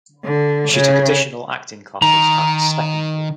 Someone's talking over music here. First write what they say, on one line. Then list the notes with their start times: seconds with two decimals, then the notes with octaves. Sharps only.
She took additional acting classes at Steppenwolf.
0.25 D3
0.72 C#3
2.02 D#3 A#5